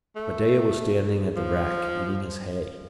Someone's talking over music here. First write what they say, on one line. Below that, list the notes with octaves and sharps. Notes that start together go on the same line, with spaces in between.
Medeah was standing at the rack, eating his hay.
A3
F3